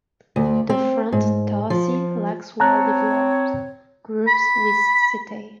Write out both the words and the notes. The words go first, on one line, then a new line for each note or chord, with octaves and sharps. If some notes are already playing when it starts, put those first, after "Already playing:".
The front tarsi lacks well developed grooves with setae.
D2
C4
G#2
F3
C4 C#5 A5 A#5 F#6
B5